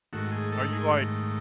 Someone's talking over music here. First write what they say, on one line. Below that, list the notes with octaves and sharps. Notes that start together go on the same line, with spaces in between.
"Are you like"
G#2 D#3 A3 F#4
G#4
A4
G#4